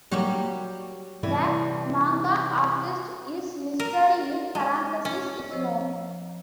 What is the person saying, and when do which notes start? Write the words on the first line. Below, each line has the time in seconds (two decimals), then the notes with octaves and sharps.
The manga artist is listed in parentheses if known.
0.11 F#3 G3 A#3 F#4 G4
1.23 C3 E3 G3 E4 C#5 E5
3.80 A#4
4.55 G#3
5.05 C#4
5.51 F3 C5 C#5 D#5 E6